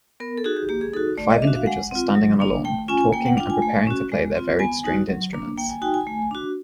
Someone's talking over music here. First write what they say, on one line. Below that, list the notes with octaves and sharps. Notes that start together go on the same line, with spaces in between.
Five individuals are standing on a lawn, talking and preparing to play their varied stringed instruments.
B3 A#4
A4
D#4 F#4 G#4
G4
A#3 G4
G#4
D#4 F#4 A4
A3 D5
D#5
D4 E5
F#4
F5
G#3 F#5
C4 F4
F#3
A#3 D4
A3 G5
C#4 F4 G#5
G#5
A#3 G5
F#5
D4 F4 G5
G#5
A3
C#4 F#4
G#3
C4 F4
B3 G#5
D#4 F#4
F#3
A#3 D4
A#3 G5
G#5
D#4 F#4 G5
G#5
A3
D4 F#4